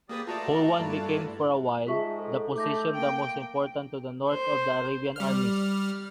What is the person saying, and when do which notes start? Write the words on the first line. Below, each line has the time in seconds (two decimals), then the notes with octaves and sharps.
Hulwân became for a while, the position the most important to the north of the Arabian Armies.
0.09 A#3 G4 G#4 B4 D5 D#6
0.27 A3 F4 F#4 D5 A5 A#5
0.79 G2 A3 A#3 E4 B4
1.87 G#2 F4 G#4 E5 A5 C#6 B6
2.19 A4
2.56 A3 D6 G6 A#6
2.95 A#3 G5
4.29 C5
5.16 G3 F6